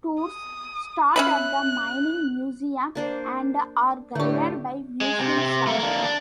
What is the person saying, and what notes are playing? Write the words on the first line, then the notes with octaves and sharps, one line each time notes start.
Tours start at the Mining Museum, and are guided by museum staff.
D#6
C#4 E5 B5 F#6
A#3 D4 C5
A2 D3 A3 D4 G4 C#6
G#3
C3
C3
A3 A#3
D3 A#3
D4